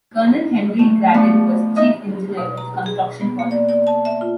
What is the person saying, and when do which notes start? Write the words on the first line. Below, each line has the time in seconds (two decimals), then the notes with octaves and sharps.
Colonel Henry Grattan was Chief Engineer of the construction project.
0.79 A3
1.14 F3 A3 B3 D4
1.76 D#4 D#5 E5
2.37 B2
2.57 A#5
2.86 G#4
3.21 B3
3.39 A#3
3.51 D5
3.69 D5
3.87 A5
4.05 E5
4.21 F4